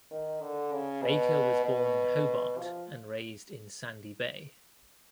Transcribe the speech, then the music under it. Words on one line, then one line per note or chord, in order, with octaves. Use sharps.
Baker was born in Hobart and raised in Sandy Bay.
D#3
D3
C#3
B2
B2
F3